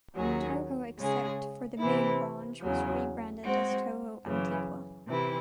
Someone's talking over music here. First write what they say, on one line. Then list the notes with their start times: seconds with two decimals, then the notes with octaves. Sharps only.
Toho except for the main branch was rebranded as Toho Antigua.
0.15 D#2 D#3 F#3 C#4 G#4
0.98 C#3 G#3 C#4 G#4
1.79 C3 E3 C4 E4
2.61 E2 C#3 F#3
3.43 G#3 C4 F#4
4.25 F#2 C#3 E3
5.07 C3 E3 C4 E4